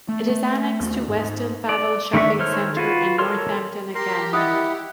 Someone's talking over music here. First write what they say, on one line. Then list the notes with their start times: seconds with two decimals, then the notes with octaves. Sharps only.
It is annexed to Weston Favell Shopping Centre and Northampton Academy.
0.08 A3
0.30 A3
0.80 D#2 A3
1.08 G#2
1.69 D5
2.13 D#3 A3 D4 E5 C#6
2.39 D#3 A4 C5 C#5 F6
2.77 F4 F#4 B4
3.19 A4 A#4 C#5 C6 F6
3.95 G4 A#4 C6
4.33 E4 D#5 F#5 D#6